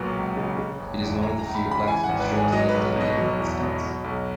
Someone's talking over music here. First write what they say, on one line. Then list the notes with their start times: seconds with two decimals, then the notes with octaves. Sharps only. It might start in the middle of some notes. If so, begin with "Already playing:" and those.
It is one of the few blacksmith shops left in the United States.
Already playing: B1 A#2 F#3 B4
0.15 C#2
0.37 C#3
0.59 C#3
0.79 F#1
1.02 E2
1.23 E3 A#5
1.39 A#5
1.45 C#2
1.55 B5
1.66 C#3
1.71 B5
1.88 E3 G#5
2.04 F#5
2.09 G#1
2.20 B4
2.31 G#2 G#4
2.52 F#3 D#5
2.69 B4
2.75 B1
2.96 B2 D#5
3.18 F#3
3.40 E2
3.60 B2
3.82 F#3
4.04 B1